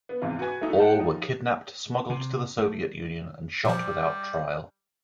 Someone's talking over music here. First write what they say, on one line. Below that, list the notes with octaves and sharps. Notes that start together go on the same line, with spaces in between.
All were kidnapped, smuggled to the Soviet Union, and shot without trial.
B3
E2 G#2 C3 F4
F#4 B4 G#5
A3 D#4 E4 F#4
F#5 G5 A5
F3 D#4
C3
A3
A#2 F3 G3